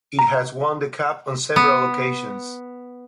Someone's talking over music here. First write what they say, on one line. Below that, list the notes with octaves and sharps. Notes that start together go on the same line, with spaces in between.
It has won the cup on several occasions.
A#5
B3